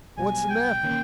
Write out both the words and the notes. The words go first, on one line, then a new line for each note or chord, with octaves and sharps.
"What's the matter?"
B1 B2 G3 G#5
G5
D#3 A#3 C#4